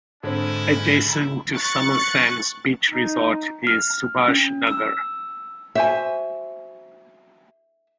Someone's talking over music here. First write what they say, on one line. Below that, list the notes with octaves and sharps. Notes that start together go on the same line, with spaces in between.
Adjacent to summer sands beach resort is subhash nagar.
G#2 D3 C4 C#4 D#4 E4
C#6 F#6 A6 C#7
D#4
F6
C#4
E6
F#4 C5 E5 G#5